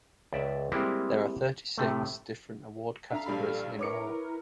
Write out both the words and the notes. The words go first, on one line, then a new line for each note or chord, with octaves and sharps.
There are thirty-six different award categories in all.
C#2 D5 E5
G3 G#3 A#3 C4 E4 G4
A2 C3 A3
D4 A4 E5 F5 A#5
A#1 G3 B5
E4 A#4 B4 C#5 D6 C#7